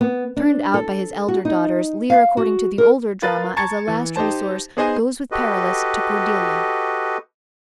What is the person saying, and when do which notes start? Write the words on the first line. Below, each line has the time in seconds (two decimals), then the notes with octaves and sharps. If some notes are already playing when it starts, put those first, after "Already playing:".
Turned out by his elder daughters, Leir, according to the older drama, as a last resource, goes with Perillus to Cordelia.
0.01 B3
0.37 D4
0.74 A4
1.28 F#4
1.45 D#4
2.10 F5
2.37 F#4
2.78 A#4
3.22 F4 A#4 B4 A6
3.57 A5 A#5 C#6 G#6 A6 C#7
3.88 E3
4.16 D#4 G4 C5 A5
4.77 B3 D#4 G#4 C5 D#5 G#5
5.32 F#4 G4 A4 B4 D#5